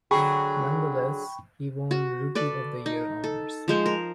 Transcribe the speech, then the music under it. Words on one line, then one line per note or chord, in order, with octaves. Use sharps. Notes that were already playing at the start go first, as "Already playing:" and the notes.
Nonetheless, he won Rookie of the Year honors.
D3 F#3 G#4 G5 B5 C#6
F#4
A4 B4 D5
D#4
A4
F3 G#3 C5
A#4